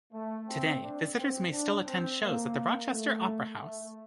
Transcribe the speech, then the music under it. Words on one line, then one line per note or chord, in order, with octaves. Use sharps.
Today, visitors may still attend shows at the Rochester Opera House.
A3
C4
D4
C4
D4
C4
A#3
A3
A3